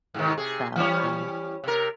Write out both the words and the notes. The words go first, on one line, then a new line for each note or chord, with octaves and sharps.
so, um,
G#2 C3 D#3
C3 G#4
E3 G3 C#4
C3 A#4